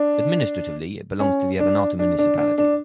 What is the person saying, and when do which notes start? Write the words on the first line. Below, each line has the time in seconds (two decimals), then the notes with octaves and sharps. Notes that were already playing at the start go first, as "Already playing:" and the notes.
Administratively it belongs to the Avannaata municipality.
Already playing: D4
1.20 C#4
1.60 D4
1.99 D4
2.19 D4
2.38 D4
2.58 D4